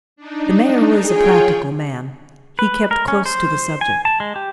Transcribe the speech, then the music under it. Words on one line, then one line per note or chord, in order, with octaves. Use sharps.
The mayor was a practical man; he kept close to the subject.
D4 D#4
F4 G#4 C#5 G5
B4
A#4
C#4
C5
G#5
A5
G#3
G4